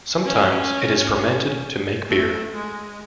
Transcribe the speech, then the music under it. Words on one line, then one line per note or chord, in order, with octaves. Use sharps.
Sometimes it is fermented to make beer.
C#4
A3
G#3